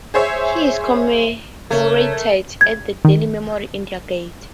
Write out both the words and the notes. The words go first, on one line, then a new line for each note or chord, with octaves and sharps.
He is commemorated at the Delhi memorial India Gate.
G#4 C5 C#5 E5
C#3 A3 A#4 C#5
G#6
D#3